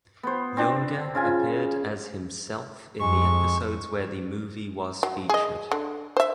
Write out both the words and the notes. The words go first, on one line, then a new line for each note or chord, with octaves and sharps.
Younger appeared as himself in the episodes where the movie was featured.
B3 C5
C4 D4
C#3 F4 G#5
F2 G#3 C#6
F#3
G#4 D#5
D3
C5 E5